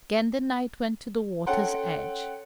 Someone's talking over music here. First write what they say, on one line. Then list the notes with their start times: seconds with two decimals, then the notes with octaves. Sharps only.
Again the knight went to the water's edge.
1.46 C#4 A4 F#5 G5 C6